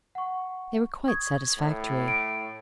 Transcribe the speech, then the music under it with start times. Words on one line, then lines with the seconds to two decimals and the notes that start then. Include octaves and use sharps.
They were quite satisfactory.
0.15 F#5 C#6
1.08 C#6 D#6 G#6
1.58 A2
2.08 D7